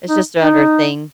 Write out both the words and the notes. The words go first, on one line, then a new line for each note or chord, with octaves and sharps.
It's just another thing.
D#4
D#4